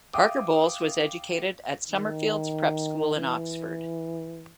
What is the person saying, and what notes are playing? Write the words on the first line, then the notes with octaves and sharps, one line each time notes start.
Parker Bowles was educated at Summer Fields prep school in Oxford.
E5 F5 G5 D6 D#6
D#3
E3